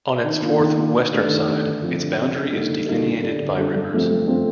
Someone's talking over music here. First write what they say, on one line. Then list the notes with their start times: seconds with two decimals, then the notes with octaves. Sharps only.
On its fourth, western side, its boundary is delineated by rivers.
0.24 D#3
0.41 A#3 D4 F4
0.59 D#3
0.76 A#3 D4 F4
0.93 D#3
1.11 A3 D4 G4
1.29 D#3
1.46 A3 D4 G4
1.64 D3
1.82 F3 C4
1.99 D3
2.17 F3 C4
2.34 D3
2.52 G3 A#3 D#4 A4
2.69 D3
2.86 G3 A#3 D#4 A4
3.04 D3
3.22 G3 D4 A4
3.40 D3
3.57 G3 D4 A4
3.75 G2
3.92 F3 A3 C4
4.10 G2
4.27 F3 A3 C4